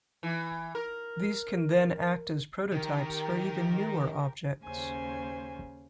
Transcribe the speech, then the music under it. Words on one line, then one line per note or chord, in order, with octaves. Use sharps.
These can then act as prototypes for even newer objects.
E3
A#4
D#3 G4 A#4
D#2 C#3 C#4 C5 G#5